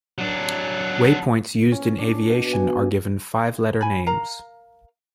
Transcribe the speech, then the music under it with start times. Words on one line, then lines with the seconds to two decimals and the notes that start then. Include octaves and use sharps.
Waypoints used in aviation are given five-letter names.
0.18 F#3 D4
1.72 C#4
1.98 D4
2.30 B2
2.53 G#5
3.81 G#5 B5
4.07 A#4 F5 A#5